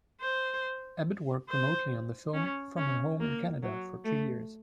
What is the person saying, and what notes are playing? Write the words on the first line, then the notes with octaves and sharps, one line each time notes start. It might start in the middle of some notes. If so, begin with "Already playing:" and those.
Abbott worked remotely on the film from her home in Canada for two years.
C5
C5
C#4
C#4
A#3
F#3
A3